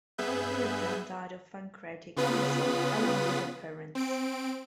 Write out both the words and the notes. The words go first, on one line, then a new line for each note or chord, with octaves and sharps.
All three of them died of pancreatic cancer, along with their parents.
G2 B3 G#4 B4 E5 G6
C#3 B3 F4 B4 B5 D#6
C4 D7